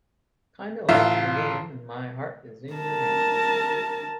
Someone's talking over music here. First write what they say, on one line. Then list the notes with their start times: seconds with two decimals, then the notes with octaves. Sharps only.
Kinda late in the game and my heart is in your hands.
0.89 A1 F4 E5
2.74 A#4 A5